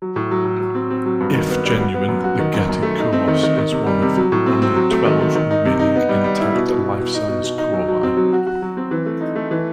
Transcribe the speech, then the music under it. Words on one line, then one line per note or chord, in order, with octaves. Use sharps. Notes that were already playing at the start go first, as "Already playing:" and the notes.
If genuine, the Getty kouros is one of only twelve remaining intact lifesize kouroi.
F#3
A2
F#3
A2
F#3
C4
C4
F#3
G2
D#3
B3
G3
F#4
B3
F#2
F#4
D#3
F#2
F#2
A3
D#4
C4
D#3
D#3
D#3
C3
G3
C3
F#3
A2
C4
C4
F#3
A3
D#3
D#3
D#3
D#4
C3
D#4
B3
G3
G3
E4
B2
B2
B2
B2
D#4
B2
B2
D#4
F#3
F#3
C4
F#3
F#4
F#4
F#3
C4
E3
A3
D#4
A3
E3